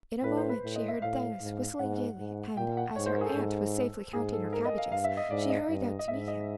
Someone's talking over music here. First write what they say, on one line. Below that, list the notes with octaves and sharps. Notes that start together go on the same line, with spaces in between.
In a moment she heard Denis whistling gaily, and as her aunt was safely counting her cabbages, she hurried out to meet him.
A2 B4
C5
B4
A2
D#5
E5
A2 F5
G#2
G#2 F#5
G#2
A#2 G5
F#5
G#2 C#5
C5
A#4
G#4
A4
G#2
G#2 G#4
A4
A#4
D#5
F5
G2 F5
E5
D#5
G#2 D5
D#5
G2
D#5
G#2 E5
D#5